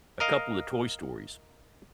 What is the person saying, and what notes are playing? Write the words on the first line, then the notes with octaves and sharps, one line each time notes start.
a couple of Toy Stories
A#4 D#5 F5